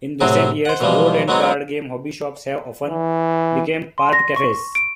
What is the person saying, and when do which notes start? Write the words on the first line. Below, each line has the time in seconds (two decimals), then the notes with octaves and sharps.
In recent years, board and card game hobby shops have often become part-cafes.
0.20 A2 C3 F#3 C4 F#4 G#4
0.65 C5 F#5
0.80 B2 E3 F3 G3 G#3
1.28 F#3 G#3 B3 C4 D#4 C#5
2.87 E3
3.98 C6
4.13 A#6
4.36 C#6
4.75 D7